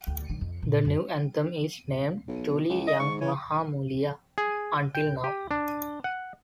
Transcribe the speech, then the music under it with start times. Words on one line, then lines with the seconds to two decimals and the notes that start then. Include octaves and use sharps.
The new anthem is named "Duli Yang Maha Mulia" until now.
0.07 D2
0.30 D#3
0.41 F2
0.62 A#2
0.85 F#2
2.28 B1
2.69 C#2
2.87 D#5
3.00 G#2 C#6
3.21 E3 C#5
4.38 G#4
4.95 G5
5.24 G4
5.51 D4
6.04 F#5